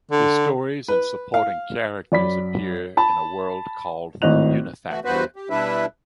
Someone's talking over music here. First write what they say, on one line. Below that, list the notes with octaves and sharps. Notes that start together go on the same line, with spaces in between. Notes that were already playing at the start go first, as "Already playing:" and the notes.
The stories and supporting characters appear in a world called the Unifactor.
D3
B4
F5
F#2 D5 B5 B6
A5 B5
G#1 A2 D#5 F#6 F7
E3 A3 F#4
E2 G2 B3 F#4 B4 C5
G4
B2 G3 D4 E4 B4 E5